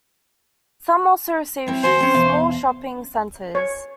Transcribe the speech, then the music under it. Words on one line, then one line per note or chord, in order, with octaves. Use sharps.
Some also received small shopping centers.
F#3 C4 E4
D#2 F#4 C5 G#5
C4 C#4
E2 B2 F5
C#5